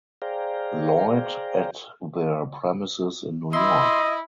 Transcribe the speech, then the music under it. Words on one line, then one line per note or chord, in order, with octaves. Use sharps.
Lloyd at their premises in New York.
G#4 C5 D5 F5 G5 A#5
E4 D#5 C6 E6